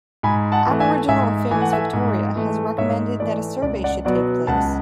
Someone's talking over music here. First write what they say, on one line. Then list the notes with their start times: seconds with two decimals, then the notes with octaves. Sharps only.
Aboriginal Affairs Victoria has recommended that a survey should take place.
0.23 G#2 G#5 B5
0.52 F#5 A5
0.67 E3 A3
0.80 E5 G#5
1.08 G#2 E5 G#5
1.51 E3 A3 G#5
1.62 F#5
1.72 E5 G#5
1.93 G#2
2.36 E3 A3
2.78 G#2 C#5 E5
3.20 E3 A3 D5
3.62 C#2 D5
3.84 D5 F#5
4.05 B2 F#3 B3 D5 F#5
4.47 C#2 F#5 A5